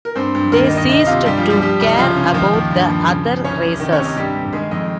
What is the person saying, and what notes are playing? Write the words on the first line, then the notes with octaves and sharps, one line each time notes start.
They ceased to care about the other races.
A#4
G2 C4 C5
G2
D#2 A#3 A#4
D#4 D#5
D#3
D#4 D#5
C2 D#4 D#5
C3 F4 F5
G2 G3 G4
F3 F4
G2
G3 G4
F3 G3 G4
C2
D#4
C#3 F3 F4
C#3 C#4
D#3 F3 F4
D#2
G2
F3
C#3
F3
C2 C#4 C#5
C2
D#3
C#4 C#5
C3
D#4
G2 G3 G4
G2
D#3 G#3 G#4
F2 D#4 D#5